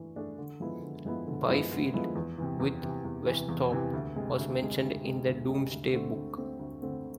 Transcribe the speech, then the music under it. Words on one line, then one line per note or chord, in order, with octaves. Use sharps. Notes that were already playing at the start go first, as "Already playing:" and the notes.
Byfield, with Westhorp, was mentioned in the "Domesday Book".
Already playing: E3 A3 D4
A3 D4 G#4
D3
F3 G#3 B3 E4
D3
F3 G#3 B3 E4
D3
F3 G#3 B3 E4
D3
F3 G#3 B3 E4
E2
C3 E3
E2
C3 E3
E2
C3 E3
E2
C3 E3
D2
C3 G#3
D2
C3 G#3
D2
C3 G#3
D2
C3 G#3
D2
D3 A3 C4
D2
D3 A3 C4
D2
D3 A3 C4